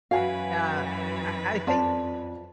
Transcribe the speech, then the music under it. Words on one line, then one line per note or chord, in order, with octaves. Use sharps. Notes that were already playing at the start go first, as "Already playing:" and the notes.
Um, I I think
F#2 E3 F#4 B4 F5 F#5 G#5
F2 F4 D5 A5